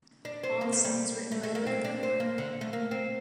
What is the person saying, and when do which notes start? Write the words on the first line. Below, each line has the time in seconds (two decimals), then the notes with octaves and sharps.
All songs written by Ben Harper.
0.25 D4
0.43 C4
0.61 A#3
0.73 A3
0.84 G3
1.32 A3
1.43 A3
1.55 A#3
1.67 C4
1.85 D4
2.03 C4
2.20 A#3
2.38 D3
2.61 A3
2.73 A#3
2.91 C4